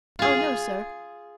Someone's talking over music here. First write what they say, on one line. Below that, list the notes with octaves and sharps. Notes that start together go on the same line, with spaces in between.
Oh, no, sir!
F4 G#4